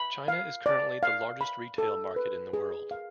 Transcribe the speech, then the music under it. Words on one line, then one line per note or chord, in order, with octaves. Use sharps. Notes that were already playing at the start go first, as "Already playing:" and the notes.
China is currently the largest retail market in the world.
Already playing: B5
F5
D5
F5
B5
A4
B4
G#4
F5